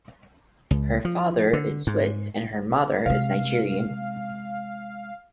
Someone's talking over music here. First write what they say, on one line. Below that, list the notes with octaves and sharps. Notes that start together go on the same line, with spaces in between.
Her father is Swiss and her mother is Nigerian.
C#2
F3
D3
G#2
C3 G#3 F5